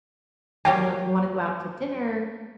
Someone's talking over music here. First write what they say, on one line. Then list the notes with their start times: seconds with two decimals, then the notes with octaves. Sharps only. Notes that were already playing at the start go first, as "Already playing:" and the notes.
"You know, if you wanna go out to dinner"
0.65 F#3 G3 A#3 G5